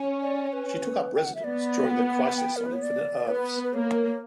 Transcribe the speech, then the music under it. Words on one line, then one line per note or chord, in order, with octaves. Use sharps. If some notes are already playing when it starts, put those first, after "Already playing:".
She took up residence during the Crisis on Infinite Earths.
Already playing: C#4
D5
C#5
B4
G5
F#5
E5
B3 D5
G5
F#5
G5
A#4
B4
C#5
D5
B3 B4
B4
A#3 C#5